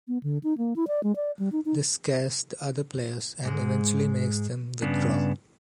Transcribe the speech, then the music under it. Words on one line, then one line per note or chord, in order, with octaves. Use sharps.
This scares the other players and eventually makes them withdraw.
B3
D3
D#4
A#3
E4
D5
G#3
D5
G3
D#4
D#4
G#2 G#3
G2 C#3 B3 D4